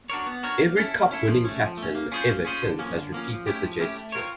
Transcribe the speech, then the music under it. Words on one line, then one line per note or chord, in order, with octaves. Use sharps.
Every Cup-winning captain ever since has repeated the gesture.
D4 F#4 A#4 C#5
B3
D4 F#4 A#4 C#5
A#3
C#4 E4 A4
A#3
C#4 E4 A4
F3
A3 C#4
F3
A3
C#4
A#3
C#4 F4 G#4 C5
A#3
C#4 F4 G#4 C5
D3
F3 A#3 C#4
D3
F3 A#3 C#4
F3
A3 C#4 E4 G4
F3
A3 C#4 E4 G4
A3
C4 F4 A#4 C#5